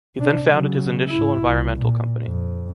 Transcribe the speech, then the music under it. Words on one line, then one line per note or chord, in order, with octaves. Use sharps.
He then founded his initial environmental company.
C3 D4
C#3 F#3
G#2 E4
C2
A#2
F2